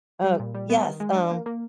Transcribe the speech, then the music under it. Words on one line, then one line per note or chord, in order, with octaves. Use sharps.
Oh, yes, um
G3
A#2
G3
B3
D#3
G#3
D4
A#3
A#3